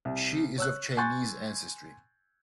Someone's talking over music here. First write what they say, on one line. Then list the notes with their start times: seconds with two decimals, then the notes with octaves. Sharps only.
She is of Chinese ancestry.
0.05 C2
0.58 C#5 E6 F#6
0.97 G#5 C6 C#6 F#6 G6 A6